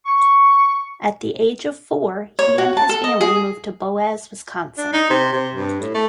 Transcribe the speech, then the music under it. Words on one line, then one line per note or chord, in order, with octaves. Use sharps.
At the age of four, he and his family moved to Boaz, Wisconsin.
C#6
C#5
F#4
A5
A4
D#5
G#4
D4
D#4
C3
C3
G2
A2
A3